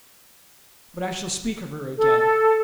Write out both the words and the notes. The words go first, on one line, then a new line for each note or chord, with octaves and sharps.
But I shall speak of her again.
A4